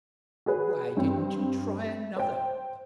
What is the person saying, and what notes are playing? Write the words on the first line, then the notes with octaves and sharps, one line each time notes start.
"Why didn't you try another?"
F#4 G#4 B4
G2 C4
C5 G5